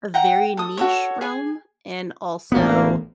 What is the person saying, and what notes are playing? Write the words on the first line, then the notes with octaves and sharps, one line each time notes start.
a very niche realm and also
F#5 G5 A#5
A4 D#6
F#4 A4 C#5
G#4 G#5
A1 D2 A#3 B3